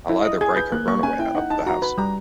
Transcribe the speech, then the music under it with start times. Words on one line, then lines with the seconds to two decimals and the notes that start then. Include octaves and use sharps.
I’ll either break or burn a way out of the house.
0.09 E4
0.25 D#5
0.41 G#4 G#6
0.56 B4 G6
0.72 A#3 F#6
0.88 A#3 C#6
1.03 C#4 G#5
1.19 E4 G5
1.35 D#4 F#5
1.50 D#4 A5
1.66 F#4 A#5
1.82 B4 B5
1.98 G3 A#5